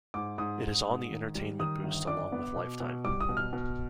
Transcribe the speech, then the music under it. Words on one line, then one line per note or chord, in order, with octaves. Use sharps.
It is on the Entertainment Boost along with Lifetime.
G#2 D6
G#2 D#6
G#2
G#2
D#3
G3
D#3 D#6
G1
D4 D6
B3
B2
B2
G3 D6
D#6
B2
F6
B2